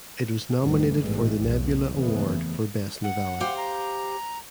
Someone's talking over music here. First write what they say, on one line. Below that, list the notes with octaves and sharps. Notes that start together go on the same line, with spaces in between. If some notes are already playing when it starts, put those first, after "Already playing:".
It was nominated for the Nebula Award for Best Novella.
F1 D2 G#2 E3 G3 A3
A1 G#2 B2 E3 G3 A3
B1 E2 A2
F1 D#2 C#3 E3 A3 B3
F#5
G4 C5 F5
A#5